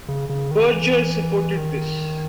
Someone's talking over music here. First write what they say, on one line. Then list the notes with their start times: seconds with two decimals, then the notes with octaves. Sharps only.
Berger supported this.
0.08 C#3
0.29 C#3
0.51 D#3
0.72 E3
1.57 D#3